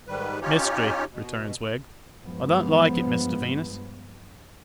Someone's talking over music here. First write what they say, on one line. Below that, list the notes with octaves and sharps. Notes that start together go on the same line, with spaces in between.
'Mystery,' returns Wegg. 'I don't like it, Mr Venus.
G#2 D#3 G3 B4
C#4 D#4 F4 G4 C#5
B2
G2 F3 G#3 B3